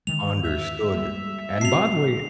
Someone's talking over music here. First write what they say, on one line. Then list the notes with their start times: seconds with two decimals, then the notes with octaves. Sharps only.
Understood. And by the way, eh, uh
0.07 D3 D#3 G#3 F7
0.43 E5
0.95 G3 G#3 A#3
1.61 B3 C4 F#4 C7 F7